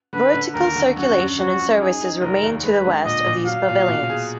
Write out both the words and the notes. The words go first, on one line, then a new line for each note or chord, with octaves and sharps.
Vertical circulation and services remain to the west of these pavilions.
D3 B4
D3
D#2 A#4
D3
F#2 F#4
F#2
F3 F#4
F#2
D#4 G#4
D#4
F1 A#4
D#2
G#3 B4
D3
A#2 D#5
A#2
F#3 F5
A#2
B2
G#4